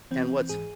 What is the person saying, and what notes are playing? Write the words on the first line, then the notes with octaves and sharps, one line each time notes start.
And what's f
E3 C4
E3
G#2 G#4